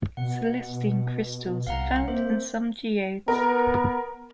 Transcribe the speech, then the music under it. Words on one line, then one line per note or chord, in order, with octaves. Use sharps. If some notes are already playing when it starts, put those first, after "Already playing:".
Celestine crystals are found in some geodes.
B2 F#5
C2 F5 F#5 A#5
A#3 C4 C5 E5
B3 A#4